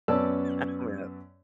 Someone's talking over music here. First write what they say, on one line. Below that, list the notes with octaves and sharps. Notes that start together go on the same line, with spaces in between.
I don't know.
F#2 B3 C#4 D5 A5 E6